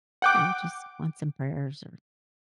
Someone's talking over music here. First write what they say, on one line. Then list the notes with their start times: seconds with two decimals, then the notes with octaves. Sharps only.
you know, just want some prayers or
0.22 F#5 G5 D6